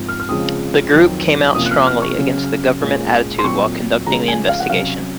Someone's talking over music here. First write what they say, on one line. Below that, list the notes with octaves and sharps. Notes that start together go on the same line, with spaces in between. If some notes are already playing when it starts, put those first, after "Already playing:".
The group came out strongly against the Government attitude while conducting the investigation.
Already playing: G#2 F3 C4
F6
F6
C#3 F3 G#3 C4 D#6
F2 D#3 F#3 C4
C3 F3 A#3 C#4 D#6
F#6
F6
F6
C#6
C#3 F#3 C#4
A#2 G#3 C#4
C6
A#2 F#3 C4 C#6
C#3 F3 G#3 A#5
G#5
F5
F#5
C3 F#3 C#4 F5